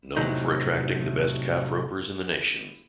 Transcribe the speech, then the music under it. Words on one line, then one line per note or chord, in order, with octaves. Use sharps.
Known for attracting the best Calf Ropers in the nation.
A2 C3 F#3 D#4